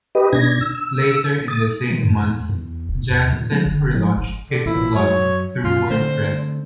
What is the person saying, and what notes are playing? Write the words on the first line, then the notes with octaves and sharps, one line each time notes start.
Later in the same month, Jansen re-launched his blog through WordPress.
G4 B4 D#5
B2 D4 G#6 A#6
E6
D#6 A6
D#3
F#2
E2
E2
D1
D#2
A#2
F3
F#1
F3
F#1
D3
A1 A#2 E4
F#2 F#3 C#5
F#2 C#3 F4
D3 A3 C4 C5